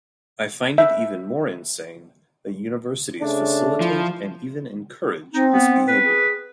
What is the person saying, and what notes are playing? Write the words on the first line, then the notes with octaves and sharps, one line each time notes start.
I find it even more insane that universities facilitate and even encourage this behaviour.
E5
C#3 A3 D4
F3 E4
C4 D#4
B3
B4
G#4